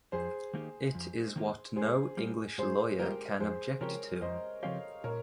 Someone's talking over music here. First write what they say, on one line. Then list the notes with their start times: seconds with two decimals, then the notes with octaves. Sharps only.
It is what no English lawyer can object to.
0.12 F2 G#4 C5
0.54 D#3 A#3 D#4 G4
0.95 F2
1.36 D#3 A#3 D#4 G4
1.76 G#2 G#4 C5
2.17 G3 A#3 F4
2.58 G#2 G#4 C5
2.99 G3 A#3 F4 G4 A#4
3.40 F2 G#4 C5
3.81 C#3 F3 C4 G4 A#4 C#5
4.21 F2 C5 D#5
4.63 C#3 F3 C4 G4 C#5 F5
5.04 A#2 A#4 C#5